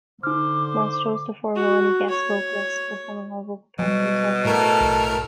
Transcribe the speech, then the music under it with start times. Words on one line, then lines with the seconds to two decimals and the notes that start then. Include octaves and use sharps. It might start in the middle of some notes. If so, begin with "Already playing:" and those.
Moss chose to forgo any guest vocalists, performing all vocal parts himself.
0.23 D3 D#4 C5 D6 F6
1.56 F#4
2.10 C#5
3.79 B2 F#3 G3
4.45 A2 A4 A#4 F6
4.80 B1